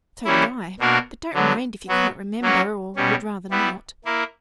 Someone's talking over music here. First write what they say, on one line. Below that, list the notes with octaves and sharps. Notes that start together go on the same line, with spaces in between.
So did I; but don't mind, if you can't remember, or would rather not.'
E3 G3 A#3 C#4 E4
B2 A#3 D4 F#4 A#4
D3 F#3 B3
F#3 B3 F#4 B4
F#3 A#3 C#4 F#4 B4
B2 G3 C#4
G3 B3 E4 B4
A#3 E4 A#4